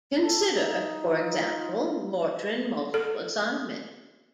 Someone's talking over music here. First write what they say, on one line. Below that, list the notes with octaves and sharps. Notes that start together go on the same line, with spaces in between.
Consider, for example, Mortran multiple assignment.
A4 A5
D#4
F4
A4